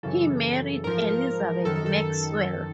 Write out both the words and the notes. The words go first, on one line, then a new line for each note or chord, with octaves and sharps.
He married Elizabeth Maxwell.
F#2 C#3 E3 A4
G#2 F3 A#4
F#2 D#3 A4
A4
A4